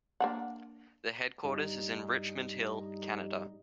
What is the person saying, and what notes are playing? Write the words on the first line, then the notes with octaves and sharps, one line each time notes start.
The headquarters is in Richmond Hill, Canada.
A#3 D4 F#5
G2 G3 D#4